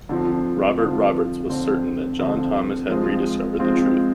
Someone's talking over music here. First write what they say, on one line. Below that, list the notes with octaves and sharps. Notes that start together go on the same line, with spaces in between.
Robert Roberts was certain that John Thomas had rediscovered the truth.
D3 F3 C4 F4
D3 F3 C4 F4
D3 F3 C4 F4
D3 F3 C4 F4
F3 G#3 C4 F4
F3 G#3 C4 F4